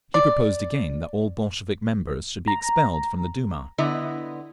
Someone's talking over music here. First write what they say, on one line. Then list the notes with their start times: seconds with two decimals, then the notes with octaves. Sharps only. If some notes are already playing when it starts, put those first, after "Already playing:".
He proposed again that all Bolshevik members should be expelled from the Duma.
0.14 D5
2.48 A#5
3.78 D3 B3 E4 D#5